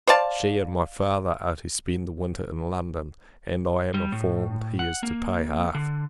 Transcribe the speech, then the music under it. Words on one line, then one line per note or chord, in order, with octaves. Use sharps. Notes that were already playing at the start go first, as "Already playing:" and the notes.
She, and my Father, are to spend the winter in London; and, I am informed, he is to pay half.
C5 D5 F5 A5
G3
A2
F#5
A#3
D3